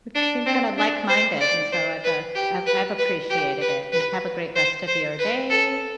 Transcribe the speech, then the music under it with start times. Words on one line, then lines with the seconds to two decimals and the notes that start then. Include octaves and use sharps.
It seemed kinda like-minded and so I've, uh, I've I've appreciated it and have a great rest of your day
0.15 D4
0.46 C4
0.78 D4
1.09 C5
1.41 D5
1.72 C5
2.04 B4
2.35 G4
2.67 B4
2.98 B4
3.30 G4
3.62 B4
3.93 B4
4.56 C5
4.87 C5
5.19 B4
5.50 A4